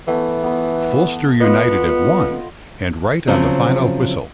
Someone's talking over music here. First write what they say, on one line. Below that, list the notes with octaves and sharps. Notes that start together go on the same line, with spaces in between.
Fulchester United have won, and right on the final whistle!
E3 A3 B3
B3 B4
B3 F4 D#5
E2 C#3 F3 F#3 C4